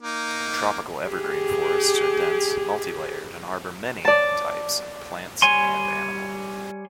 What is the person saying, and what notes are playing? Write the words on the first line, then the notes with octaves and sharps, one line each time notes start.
Tropical evergreen forests are dense, multi-layered, and harbour many types of plants and animal.
A#3 D#4
G4 G#4
D5 A5
G3 C#5 G#5 C6